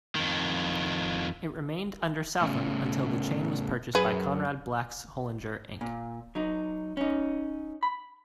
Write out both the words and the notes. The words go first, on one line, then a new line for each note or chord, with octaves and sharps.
It remained under Southam until the chain was purchased by Conrad Black's Hollinger Inc..
F2 D#3
A2 C#3
F#2 G#4 B4
A#2
F#3 D#4
C#4 D#4
B5